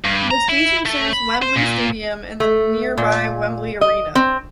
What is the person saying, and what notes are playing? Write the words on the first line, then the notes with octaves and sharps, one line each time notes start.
The station serves Wembley Stadium and the nearby Wembley Arena.
G2
A#5
E4
A3
B5
C5
A#2
A3
A#2
D#5
C4